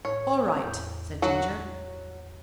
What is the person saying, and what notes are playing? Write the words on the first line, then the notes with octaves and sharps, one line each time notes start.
"All right," said Ginger.
A2 C#5
E2 A2 G6
F#3 F#4